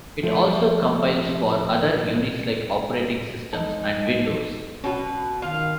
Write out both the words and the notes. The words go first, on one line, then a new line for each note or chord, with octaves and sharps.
It also compiles for other Unix-like operating systems and Windows.
F3 A3
G#3 D#4 A4
B2 C#4 F#4 B4 F#5
D#3 F4 F5